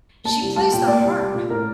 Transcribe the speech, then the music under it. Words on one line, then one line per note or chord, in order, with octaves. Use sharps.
She plays the harp
A#3 A5
C2
G3 A5
A#2 G5
A#3 D5
C2
G3
A#2
A2 A#4